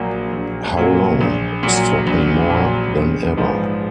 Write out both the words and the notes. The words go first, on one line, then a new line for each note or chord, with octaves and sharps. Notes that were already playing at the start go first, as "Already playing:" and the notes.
'How Long' struck me more than ever.
Already playing: A#1 A#2 F#3 A#3
A#1
A#2 F#3 A#3
A#1
A#2 F#3
A#1
A#2 F#3
A#1
G#2 F3 G#3 B3